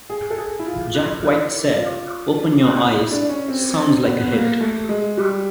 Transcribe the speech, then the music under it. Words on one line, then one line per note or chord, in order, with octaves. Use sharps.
Jack White said 'Open Your Eyes' sounds like a hit.
G#4
A4
G#4
E4
F4
E4
F4
E4
D4
D4
C#4
C4
B3
A#3
A3
G#3
G3